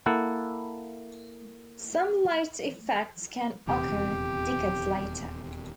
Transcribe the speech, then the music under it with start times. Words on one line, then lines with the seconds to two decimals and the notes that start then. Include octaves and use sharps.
Some late effects can occur decades later.
0.06 A#3 E4 A4 F#5
3.67 D#1 E2 C3 G4